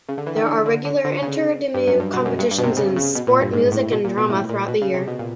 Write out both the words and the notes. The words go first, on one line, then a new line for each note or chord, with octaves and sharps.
There are regular inter-Deme competitions in sport, music and drama throughout the year.
C#3
D3
E3
D#3
D3
D3
D3
D3
C#3
G2
F#2
G2
B2
F#2
G2
G2
B2
C3
C#3
C#3
B2
A#2
G2
G#2
A2
B2
A#2
B2
A2
A#2
B2
C#3
C3
B2
A#2